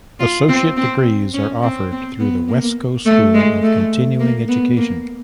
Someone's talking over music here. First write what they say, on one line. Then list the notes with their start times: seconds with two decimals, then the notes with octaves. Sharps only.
Associate degrees are offered through the Wescoe School of Continuing Education.
0.19 F4
0.48 C4
0.77 C4
1.34 C#4
1.63 C4
1.92 C4
2.19 B3
2.48 A#3
3.05 A3
3.34 G#3
3.62 A3
4.19 A#3
4.48 B3
4.77 A#3